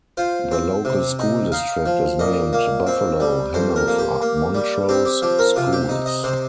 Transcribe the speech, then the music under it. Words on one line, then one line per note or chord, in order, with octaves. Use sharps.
The local school district is named Buffalo-Hanover-Montrose Schools.
F4 C5
C4
C3
D#4
D#4 F5
F3
A#2 D#5
A#3
C4
G3
F2 C5
A#4
A#3
G4
A#3
G3
C4 G4
G4
F3 G4
A#4
C3 F4
G4
D#4
D#5
C3 C5